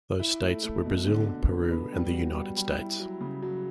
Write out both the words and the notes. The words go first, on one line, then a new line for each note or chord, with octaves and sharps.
Those states were Brazil, Peru and the United States.
E4
A3
A3
B2
D3
D3
B3
B3
G3
F#4
G3
G3
E4
F#3
C#3
F#3